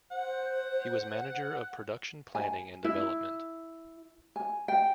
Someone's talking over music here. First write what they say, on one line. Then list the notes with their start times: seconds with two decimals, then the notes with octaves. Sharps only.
He was manager of production planning and development.
0.11 C5 F#5
2.35 G#5
2.84 E4
4.36 G#5
4.68 G5